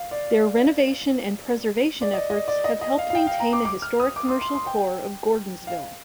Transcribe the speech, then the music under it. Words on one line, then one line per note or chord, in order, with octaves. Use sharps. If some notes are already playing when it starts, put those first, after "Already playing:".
Their renovation and preservation efforts have helped maintain the historic commercial core of Gordonsville.
Already playing: F5
D5
D5
D#5
D#5
D5
D#5
D#5
F5
F5
G5
F5
A#5
D6
D6
F6
D#6
D6
C6
C6
C6
G5
F5